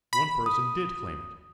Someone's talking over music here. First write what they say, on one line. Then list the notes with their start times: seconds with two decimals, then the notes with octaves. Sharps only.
One person did claim it.
0.13 B5
0.46 D#6